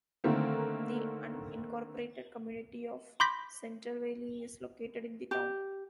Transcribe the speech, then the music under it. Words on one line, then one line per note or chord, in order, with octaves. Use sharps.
The unincorporated community of Centerville is located in the town.
D3 D#3 A3 A#3 C4
B5 C6 D6 G6 A#6 B6
G4